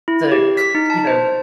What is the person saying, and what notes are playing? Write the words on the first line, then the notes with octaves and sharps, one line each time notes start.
the c you know,
E4
G4
B6
D#4
A5
C5